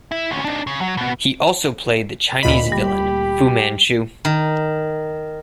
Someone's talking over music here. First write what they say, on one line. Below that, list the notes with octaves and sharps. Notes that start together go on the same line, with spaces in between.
He also played the Chinese villain Fu Manchu.
E4
D2 C#4
D4 D#4
C#3
F#3
B2 B3
D2 A#2 D#5 B5
G3 G4
D#3